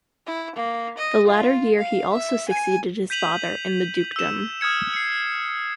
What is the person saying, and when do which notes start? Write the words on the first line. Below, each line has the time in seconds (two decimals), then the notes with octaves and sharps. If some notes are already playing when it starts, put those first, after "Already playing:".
The latter year he also succeeded his father in the dukedom.
0.26 E4
0.55 A#3
0.98 D#5
1.27 F4
1.78 F5
2.12 E5
2.49 G#5
3.10 G6 B6 D#7 F7 F#7
4.16 E6 E7
4.61 D#6 F6 G#6 C#7
4.94 C7 C#7